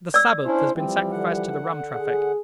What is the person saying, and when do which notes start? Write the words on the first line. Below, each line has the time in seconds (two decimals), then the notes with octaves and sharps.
The Sabbath has been sacrificed to the rum traffic.
0.14 D5 E6
0.45 C#4 D4 E4 C5
0.76 E3 F3 G3 C4
1.12 D3 F#5
1.94 G#4